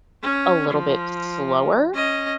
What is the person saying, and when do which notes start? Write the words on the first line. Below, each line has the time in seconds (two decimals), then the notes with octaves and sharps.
a little bit slower.
0.23 C#4
0.70 F3
1.94 C#4 D#5